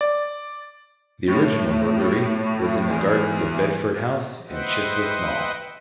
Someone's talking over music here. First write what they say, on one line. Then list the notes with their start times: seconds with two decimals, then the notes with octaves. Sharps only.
The original brewery was in the gardens of Bedford House in Chiswick Mall.
0.01 D5
1.28 A2
2.91 E3 G#4
4.49 B4 C5 D#5 E5 F#5 G5